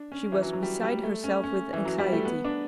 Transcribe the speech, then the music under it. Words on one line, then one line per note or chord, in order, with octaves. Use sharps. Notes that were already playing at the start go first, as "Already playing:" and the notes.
She was beside herself with anxiety.
Already playing: D4
C#4
E3
F#3
F#3
G3
G3
A3
C#4
C#4
E3
F#3
G3
A3
B3
D4